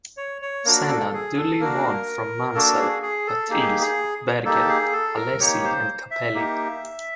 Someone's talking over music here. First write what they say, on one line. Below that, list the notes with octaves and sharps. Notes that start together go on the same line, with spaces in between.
Senna duly won from Mansell, Patrese, Berger, Alesi, and Capelli.
C#5
C#5
A#3 D4 F#4 A#4
A4
G#4
A4
A#3 D4 F#4 A#4
A#3 D4 F#4 A4
G#4
G#4
A4
A#3 D#4 G4 G#4
G#4
A#3 D#4 G4 A4
G#4
A4
A#4
A#3 D#4 G4 C#5
C5
E5
A#3 D#4 G4